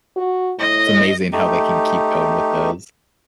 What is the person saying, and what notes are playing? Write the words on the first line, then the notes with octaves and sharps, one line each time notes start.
it's amazing how they can keep going with those.
F#4
A2 D#5
A3 D#4 G4